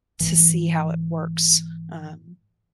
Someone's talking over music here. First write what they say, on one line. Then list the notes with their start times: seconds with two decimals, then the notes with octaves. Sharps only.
to see how it works, um
0.20 G#2 E3